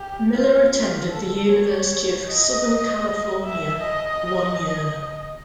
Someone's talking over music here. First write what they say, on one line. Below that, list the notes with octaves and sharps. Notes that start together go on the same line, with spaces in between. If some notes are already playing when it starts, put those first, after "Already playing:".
Miller attended the University of Southern California for one year.
Already playing: G4
F4
F4
A4
C#5
D#5
E5
D#5